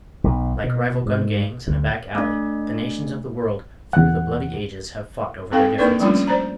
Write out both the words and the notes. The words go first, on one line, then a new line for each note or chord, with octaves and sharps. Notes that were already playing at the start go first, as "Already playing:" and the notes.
Like rival "gun gangs" in a back alley, the nations of the world, through the bloody ages, have fought over their differences.
B1
B2
G#2
D2
A3 D4
E2 F#5
C4 D#4 A4 F5 G5
A#3 D4 D#4 A#4 B4 D5
F3 G3 A3 C#4 D4 F4
C5 D5 A#5